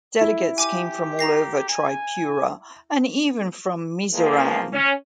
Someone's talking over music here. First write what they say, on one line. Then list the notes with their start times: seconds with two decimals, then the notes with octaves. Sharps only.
Delegates came from all over Tripura and even from Mizoram.
0.21 E4
0.58 G4 G#5 D6 D#7
1.19 A#5 A#6 C7
1.69 G#5
4.14 E3 F3 G#3 A#3
4.73 C#4